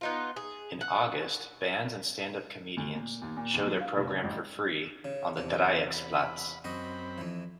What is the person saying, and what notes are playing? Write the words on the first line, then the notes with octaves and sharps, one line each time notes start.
In August bands and stand-up comedians show their program for free on the Dreiecksplatz.
B3 D#4 F4
G#4
F#5
D2
A#2
D#2
A#2
D#2
F#3
F5
F1
C#3
A1
C#3
E2 C3
F5
B5
F#2 C4 F#4 D#5 B5
F2 E3